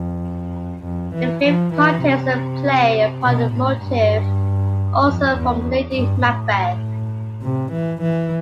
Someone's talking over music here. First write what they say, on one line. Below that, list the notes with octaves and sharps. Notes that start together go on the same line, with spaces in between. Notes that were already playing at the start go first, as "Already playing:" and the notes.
The fifth contains a play upon a motif also from Lady Macbeth.
Already playing: F2
F2
E3
F3
E3
C3
B2
A2
G2
F2
E2
G2
A2
C3
E3
E3